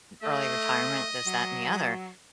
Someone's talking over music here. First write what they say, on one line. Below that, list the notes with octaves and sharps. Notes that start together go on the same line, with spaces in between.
early retirement, this, that, and the other,
A3 D#5
F#3